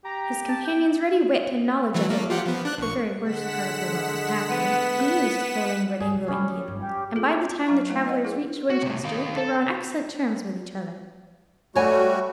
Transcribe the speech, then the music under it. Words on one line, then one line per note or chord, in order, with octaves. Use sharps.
His companion's ready wit and knowledge of the world--the very worst part of the world, unhappily--amused the languid Anglo-Indian: and by the time the travellers reached Winchester, they were on excellent terms with each other.
G4 A#5
A5
G5
E3 F#3 A3
A3 A#3
F4 G4 F#5
F3 B3
D4 F#6
A#1 C#6
D3 G#3 F#5 B6 E7
B3
G2 G#4
C2
D3 G3 A3 C#4
G1 F2
G#3 G4
F4 G#4 A4
E4 D6
F#3 E4 F5 A#5 C#6
A3 F5
B4 D5 D#5 F#5
E4 G#4
F#4
A2 C3
D#3 F5
A4
G3 A3 F#4 C#5 G#5